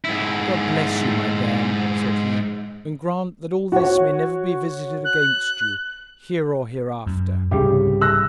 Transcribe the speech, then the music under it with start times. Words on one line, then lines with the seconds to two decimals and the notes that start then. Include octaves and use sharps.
'God bless you, my bairn,' said he, 'and grant that all this may never be visited against you, here or hereafter!'
0.05 G#2 E4
3.72 F#4 C#5
5.05 F#6
7.06 F#2
7.51 C2 G#2 C#3 G4
8.01 E6 F#6 A#6